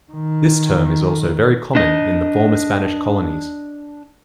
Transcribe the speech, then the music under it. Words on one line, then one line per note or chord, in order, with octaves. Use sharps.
This term is also very common in the former Spanish Colonies.
D#3
D4 D#5